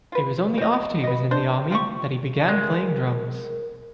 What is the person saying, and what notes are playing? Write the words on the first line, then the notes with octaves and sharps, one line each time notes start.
It was only after he was in the army that he began playing drums.
F4 B4
C4 D#5
B4 D#5
D4 C5
F4 G4 D#5 C#6
G#3 A#4